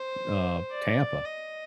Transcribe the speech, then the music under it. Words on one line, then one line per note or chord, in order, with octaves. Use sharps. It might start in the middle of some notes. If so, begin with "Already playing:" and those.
uh, Tampa;
Already playing: C5
D5
D#5